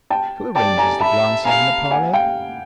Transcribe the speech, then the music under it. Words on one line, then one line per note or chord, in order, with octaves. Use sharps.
Who arranges the glasses in the parlor?
G5 A5
D5 G5 A5
G#5 A#5
E5 A5 B5
F5 G#5 A#5
F#5 G#5
F5 G5